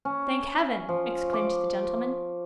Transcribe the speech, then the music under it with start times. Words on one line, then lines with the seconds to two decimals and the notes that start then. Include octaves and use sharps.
'Thank Heaven!' exclaimed the gentleman.
0.05 C#4
0.89 F3
1.33 D6